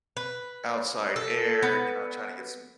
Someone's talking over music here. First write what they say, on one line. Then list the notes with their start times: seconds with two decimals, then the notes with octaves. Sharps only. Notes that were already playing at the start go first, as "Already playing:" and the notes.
outside air, you know, trying to get some
0.17 B4
1.16 A4
1.62 B3